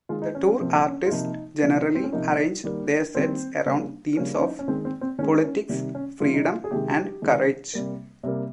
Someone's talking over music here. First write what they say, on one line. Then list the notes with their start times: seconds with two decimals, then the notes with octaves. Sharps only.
The tour artists generally arranged their sets around themes of politics, freedom, and courage.
0.09 D#3 G#3 F4
0.22 D#4
0.35 C#4
0.47 C#4
0.60 C3 F3 A#3 C4
0.86 C#4
1.06 F4
1.11 C3 F3 A#3 D#4
1.61 C3 F3 A#3
1.95 C4
2.04 C#4
2.13 C3 F3 A#3 D#4
2.64 D#3 G3 A#3
3.14 D#3 G3 A#3 C4
3.66 C#3 G3 A#3
4.17 C#3 G3 A#3 C#4
4.34 C#4
4.42 D#4
4.59 C#4
4.68 D#3 G#3 C4
4.85 C4
5.01 C4
5.19 D#3 C#4
5.23 G#3
5.44 C#4
5.69 C3 D#3 G3
5.95 C#4
6.20 C3 D#3 G3 F4
6.33 D#4
6.46 F4
6.64 G#4
6.71 C3 D#3 G#3 G4
7.22 C3 D#3 G#3
7.73 C3 G3 A#3
8.23 C3 G3 A#3